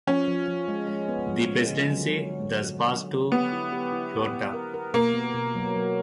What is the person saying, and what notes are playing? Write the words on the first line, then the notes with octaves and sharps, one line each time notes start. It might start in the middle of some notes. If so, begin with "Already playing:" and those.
The presidency thus passed to Huerta.
F3 C#4
F3
F3
G#3
G#3
B3
F3
G#3
D3
F#3
F#3
D3
F#3
D3
F#3
D3
B3 G4
E4
G4
E4
G4
B3
A#4
A#4
B2 A#3
B3
B2
F#3
F#3